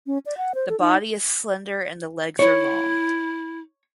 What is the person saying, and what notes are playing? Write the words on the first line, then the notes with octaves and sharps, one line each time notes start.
The body is slender and the legs are long.
C#4
D5
F#5
C5
A4
D#4
E4 C#5